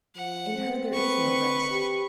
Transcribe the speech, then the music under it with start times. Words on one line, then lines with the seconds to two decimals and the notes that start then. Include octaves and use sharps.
In her there is no rest.
0.16 F3 F#5
0.54 C4
0.94 B4 C#6
1.71 G4